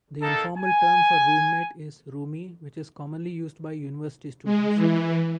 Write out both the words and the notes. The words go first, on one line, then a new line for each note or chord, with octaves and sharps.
The informal term for roommate is roomie, which is commonly used by university students.
A#3 D#4 A4
G#5
G#3
E3